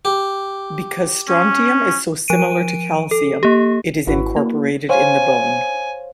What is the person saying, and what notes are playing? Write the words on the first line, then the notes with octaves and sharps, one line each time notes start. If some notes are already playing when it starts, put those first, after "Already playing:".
Because strontium is so similar to calcium, it is incorporated in the bone.
G4
C#4
F3 D7 D#7
A4
A#3 G4
G#1 E4 F#4 B4
A#3
C5 C#5 F5 G#5